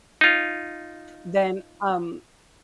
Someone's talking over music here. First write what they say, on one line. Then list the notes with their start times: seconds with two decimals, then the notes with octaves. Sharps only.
then, um,
0.21 D#4 F4